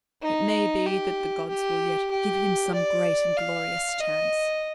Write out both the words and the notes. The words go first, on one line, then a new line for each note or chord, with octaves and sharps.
It may be that the gods will yet give him some great and glorious chance.
D#4
G4
G4
G4
D5
F5
D#5